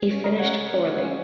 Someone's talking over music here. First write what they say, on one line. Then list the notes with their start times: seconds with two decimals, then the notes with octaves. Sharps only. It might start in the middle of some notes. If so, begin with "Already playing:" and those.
He finished poorly.
Already playing: G#4
0.08 A#3 C#4
0.24 C#3 A#4 D#5
0.39 A#3 C#4 C#5 F#5
0.54 C#3
0.70 A#3 C#4
0.85 C#3
1.01 A#3 C#4